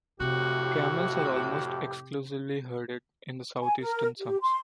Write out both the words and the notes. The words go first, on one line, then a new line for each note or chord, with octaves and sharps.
Camels are almost exclusively herded in the southeastern sums.
F2 A2 C3 F#4 G4
G#5
A#4
G4
C6